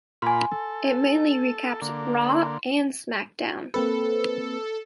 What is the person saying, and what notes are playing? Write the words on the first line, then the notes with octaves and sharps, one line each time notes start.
It mainly recaps "Raw" and "SmackDown".
A#2 F4 G#5 B5 C6
A4
D3 A#3
C6
A#3 C4 A4 B4